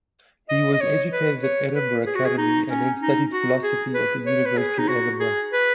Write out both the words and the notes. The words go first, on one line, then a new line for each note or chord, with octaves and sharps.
He was educated at Edinburgh Academy then studied philosophy at the University of Edinburgh.
D#5
D#5
C#5
B4
C#5
B4
G#4
F#4
G#4
D#4
C#4
D#4
F#4
G#4
B4
C#5
B4
G#4
D#4
F#4
G#4
B4